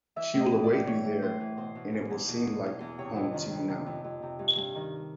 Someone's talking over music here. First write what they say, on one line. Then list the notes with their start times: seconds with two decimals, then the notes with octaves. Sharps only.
She will await you there and it will seem like home to you now.
0.16 E3 E5
0.34 A2
0.40 D#5
0.52 E3
0.64 D5
0.69 A2
0.86 E3 C#5
1.04 E3
1.22 A2 C5
1.40 E3
1.57 B2 C5
1.75 B2
1.93 E2
2.10 E2
2.28 B2
2.45 B2
2.63 E2
2.81 E2
2.98 C3 C#5
3.16 F2
3.34 D#3
3.51 F2
3.69 C3
3.86 F2
4.04 F2
4.22 C3
4.39 G2
4.57 G2
4.75 D#3